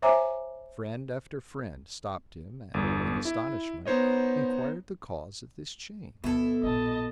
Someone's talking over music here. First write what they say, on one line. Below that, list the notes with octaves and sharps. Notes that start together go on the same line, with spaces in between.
Friend after friend stopped him, and, in astonishment, inquired the cause of this change.
C5 C#5 E5 G#5 A#5 D6
G1 E2
E4
B3 D#4 C5 C#5 D#5
D2 G2 B2 E4 A4
A#1 G2 D#5 A5